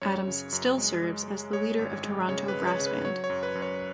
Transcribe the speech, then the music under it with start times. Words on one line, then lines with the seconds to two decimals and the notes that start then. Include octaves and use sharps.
Adams still serves as the leader of Tornado Brass Band.
0.02 F#2 C#5
0.27 C#3
0.53 F#2
0.78 G#3
1.03 G#3
1.28 G#3
1.53 G#3 C#5
1.79 G#1
2.04 G#3
2.28 C#3 C#5
2.48 B4
2.54 G#3
2.67 C#5
2.80 C#3
2.86 B4
3.05 F#3 C#5
3.24 C#5
3.30 F#2
3.43 B4
3.55 F#2
3.62 C#5